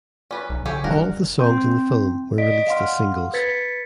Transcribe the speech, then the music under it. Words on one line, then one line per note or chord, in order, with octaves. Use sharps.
All the songs in the film were released as singles.
C#4 B4 D5
B1 A#5
D3 G4 G#4 C#5
F#1 G3 D4 A#4 F#5
C4 G5 C6 G6
D5 D#5 B6 D7
F5 F#5 C6 F6
B4 G#6 A6 B6 C#7